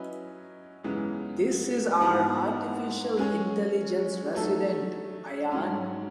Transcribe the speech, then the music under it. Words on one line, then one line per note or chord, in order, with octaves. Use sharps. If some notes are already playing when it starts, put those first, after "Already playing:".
This is our Artificial Intelligence Resident, Ayaan.
Already playing: F#3 C#4 E4 B4 D#5
F#2 C#3 E3 G#3 B3
G#2 E3 B3 F#4 B4
G#3 C#4 G#4 C#5
F#3 A3 D#4 A4
G#2 F#3 C#4